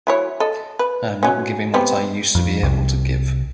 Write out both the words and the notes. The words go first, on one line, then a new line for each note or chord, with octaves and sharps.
I am not giving what I used to be able to give.
F#3 E4 C#5
A4 D#5
B4
F#3 C#4
G3 B3 C4
F2
C2